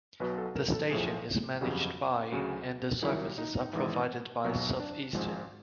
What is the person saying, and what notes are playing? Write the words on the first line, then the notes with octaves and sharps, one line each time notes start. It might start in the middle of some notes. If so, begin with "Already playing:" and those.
The station is managed by and the services are provided by Southeastern.
B1 B2 F#3 B4
A4
A#4
A4
B1 A2 F3 G#4
G1 F2 C#3 F#3 G4
D2 C#3 F#3 F#4
C2 C3 D#3 F#3 E4
D#4
G#1 G#2 E3
B1 B2 F#3
D4
G#1 G#2 F3